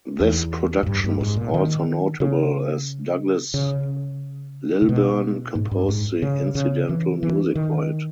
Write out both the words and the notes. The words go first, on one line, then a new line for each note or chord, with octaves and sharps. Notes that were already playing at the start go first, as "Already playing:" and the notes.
This production was also notable as Douglas Lilburn composed the incidental music for it.
E2
G#2
G2
G2
G#2
A#2
D#3
C#3
C#3
C#3
B2
G#2
G2
G#2
C#3
C#3
E3
E3
D#3